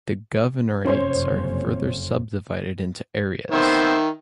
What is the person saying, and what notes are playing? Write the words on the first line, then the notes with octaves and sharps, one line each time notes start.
The governorates are further subdivided into areas.
F#1 F2 C3 C#4 C5 C#5
D#3 B3 C4 C5 E5